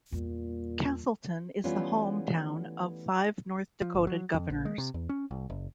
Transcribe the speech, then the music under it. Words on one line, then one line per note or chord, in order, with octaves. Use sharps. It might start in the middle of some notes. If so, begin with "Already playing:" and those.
Casselton is the hometown of five North Dakota governors.
E2 A#2 G3
E3 G3 A3 B3 C#4 F4
F3
G1
F#3
F2
A#1
G#3
C3
E2
C#4
C2
F#1